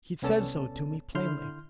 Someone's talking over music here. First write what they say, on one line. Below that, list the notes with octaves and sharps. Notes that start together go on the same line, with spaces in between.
He said so to me, plainly.
C2 B3 C#4 A4 D5 A5
D3 E4 C6 F6 G6